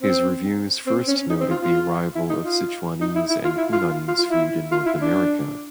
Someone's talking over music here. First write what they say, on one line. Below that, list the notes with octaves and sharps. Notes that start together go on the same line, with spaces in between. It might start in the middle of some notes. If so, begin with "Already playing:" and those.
His reviews first noted the arrival of Sichuanese and Hunanese food in North America.
C4
C4
C#4
D#4
C4
F4
F4
E4
D#4
F4
D#4
E4
E4
F4
E4
F4
F4
F4
E4
F4
E4
D4